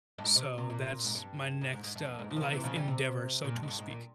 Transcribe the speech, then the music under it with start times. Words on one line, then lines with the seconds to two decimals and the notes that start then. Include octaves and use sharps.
So that's my next, uh, life endeavor, so to speak.
0.18 G2
0.24 G#2
0.36 C3
0.58 C3
0.70 A#2
1.04 G#2
1.15 G2
1.61 G#2
1.73 G#2
1.84 G#2
1.96 G2
2.07 F2
2.19 G#2
2.31 F2
2.36 F3
2.41 C3 E3
2.52 C3 E3
2.64 C#3 F3
2.76 E3 G3
2.88 C3
3.44 A#2
3.55 G2
3.63 G#2
3.68 G2
3.79 G#2
3.90 A#2